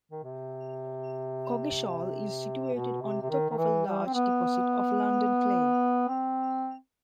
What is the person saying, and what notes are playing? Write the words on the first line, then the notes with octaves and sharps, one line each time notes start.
Coggeshall is situated on top of a large deposit of London Clay.
D#3
C3
B2
C3
C3
D#3
D#3
E3
G3
C4
B3
C4